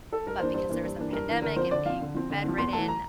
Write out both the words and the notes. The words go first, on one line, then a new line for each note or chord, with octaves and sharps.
But because there was a pandemic and being bedridden,
A4
G2 A#4
E3 A#3 D4 C5
G2 C5
E3 A#3 D4
G2
E3 A#3 D4
G2 A#4
E3 A#3 D4
D3 A#4
F3 C4 C5
D3 D5
F3 C4 F5
D3
F3 C4
D3
F3 C4
E2 C6
E3 A3 A5
A#5